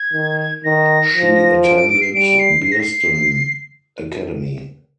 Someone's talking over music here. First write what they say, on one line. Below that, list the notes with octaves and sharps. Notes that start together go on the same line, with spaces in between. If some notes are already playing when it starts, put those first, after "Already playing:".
She attended Bearsden Academy.
Already playing: G#6
D#3
D#3 A#6
F3
D7
D7
D7
C7
G3 D7
C7
C7
A#6
C7